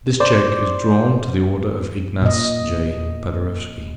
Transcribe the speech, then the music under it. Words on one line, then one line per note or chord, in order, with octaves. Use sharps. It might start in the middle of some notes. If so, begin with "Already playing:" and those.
This check is drawn to the order of Ignace J. Paderewski.
C5 D5 D6
A#2 D#5